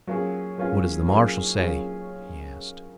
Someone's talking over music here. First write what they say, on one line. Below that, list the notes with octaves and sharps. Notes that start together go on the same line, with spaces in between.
"What does the marshal say?" he asked.
F#3 A#3 C#4 F4 G#4
F#3 A#3 C#4 F4 G#4
F#3 A#3 C#4 F4 G#4
F#3 A#3 C#4 F4 G#4